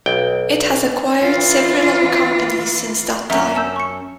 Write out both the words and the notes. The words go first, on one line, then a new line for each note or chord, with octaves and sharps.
It has acquired several other companies since that time.
B1 G5
E3 F4
F#2 C#4 E5 F#5 A#5
A5 E6 G6
C#6 C#7